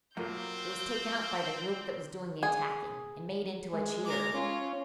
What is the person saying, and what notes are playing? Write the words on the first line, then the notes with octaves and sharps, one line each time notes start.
It was taken up by the group that was doing the attacking, and made into a cheer.
B1 F#3 A#3 C4 F4 G6
G#4
G#3
A#4 D6
C#4 F4